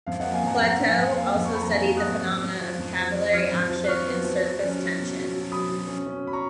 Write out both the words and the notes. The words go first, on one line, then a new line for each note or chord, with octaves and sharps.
Plateau also studied the phenomena of capillary action and surface tension.
F2 F5
D#5 F#5
A#3
F5 G#5
F2 F#5 A#5
F2 F#5 A#5
F2
F5 G#5
F2
A#3 F5 G#5
F2
C#6
A#3 B5
A#5
F2 F5 G#5
F2
D#6 F#6
F2
F2
F2
F3
F2
F3
F3
F3 F6 G#6
F2
F3
F#6
F3 C#6 F6
B3
F3
F#3
C#4
F#3
B2
B2
F#3
B2 B5 D#6
F#3
C#4
C#4
F#3 B5
A#5 C#6